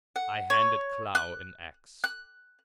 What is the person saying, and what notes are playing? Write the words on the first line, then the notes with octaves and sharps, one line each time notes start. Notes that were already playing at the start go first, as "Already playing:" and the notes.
I handed Klow an ax.
F#5
C#5
F#6
F#6